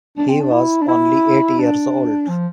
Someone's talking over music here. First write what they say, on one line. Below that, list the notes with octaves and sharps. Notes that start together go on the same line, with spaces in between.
He was only eight years old.
D4
C4
D4
E4
D4
E4
D4
F3